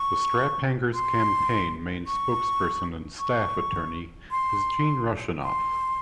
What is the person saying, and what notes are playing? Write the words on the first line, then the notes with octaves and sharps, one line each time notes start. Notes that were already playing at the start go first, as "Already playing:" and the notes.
The Straphangers Campaign's main spokesperson and staff attorney is Gene Russianoff.
Already playing: C#6
C6
C#6
C#6
C6
C6